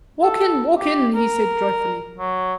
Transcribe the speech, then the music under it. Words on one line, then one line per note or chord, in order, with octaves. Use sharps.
"Walk in, walk in," he said joyfully.
A4
G4
A#4
F#3